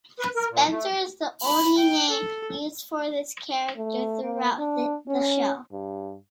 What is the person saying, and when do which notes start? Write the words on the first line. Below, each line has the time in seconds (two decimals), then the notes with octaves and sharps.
Spenser is the only name used for this character throughout the show.
0.19 B4
0.36 A#4
0.50 A#2
0.70 A3
1.45 B5
1.78 G5
2.10 A4
3.77 A3
4.23 A#3
4.59 D4
5.08 C#4
5.72 G2